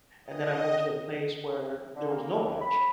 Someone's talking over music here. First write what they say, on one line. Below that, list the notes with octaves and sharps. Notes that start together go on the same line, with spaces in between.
and then I moved to a place where there was no beach,
D#5
D3
A#3
D#2
B5